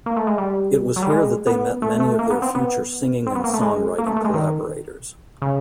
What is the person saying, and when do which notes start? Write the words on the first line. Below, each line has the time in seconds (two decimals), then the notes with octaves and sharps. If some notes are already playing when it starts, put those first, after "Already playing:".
It was here that they met many of their future singing and songwriting collaborators.
0.06 A#3
0.16 A3
0.27 G#3
0.38 G3
0.96 F#3
1.03 G3
1.10 G#3
1.47 B3
1.82 A3
2.00 A3
2.19 A#3
2.30 B3
2.42 C4
2.55 B3
3.27 C4
3.35 B3
3.44 A#3
3.53 A3
3.62 G#3
3.98 A#3
4.06 A3
4.17 A3
4.25 G#3
4.34 D#3
5.42 C#3